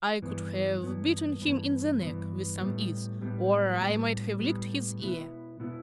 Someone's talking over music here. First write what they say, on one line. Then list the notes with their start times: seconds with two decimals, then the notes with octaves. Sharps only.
I could have bitten him in the neck with some ease ... or I might have licked his ear.
0.22 G2 E3 B3
0.82 G2 E3 B3
1.41 G2 E3 B3
2.02 G2 E3 B3
2.61 A2 G3 B3
3.21 A2 G3 B3
3.81 A2 G3 B3
4.40 A2 G3 B3
5.00 B2 B3 E4
5.60 B2 B3 E4